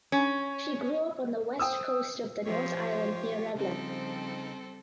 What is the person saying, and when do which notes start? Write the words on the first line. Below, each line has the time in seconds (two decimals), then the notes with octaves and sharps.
She grew up on the west coast of the North Island near Raglan.
0.12 C#4
1.59 C5 G5 D#6 E6
2.46 F3 F4 G4 C5 C#5
3.56 C#3 F3 G3 C4 D#4 A4